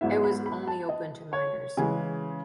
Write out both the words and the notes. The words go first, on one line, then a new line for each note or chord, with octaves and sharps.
It was only open to miners.
G#2 F#3 B3 E4 E5
B5
B5
A5
D#5
C#5
C#3 E3 G#3 G#5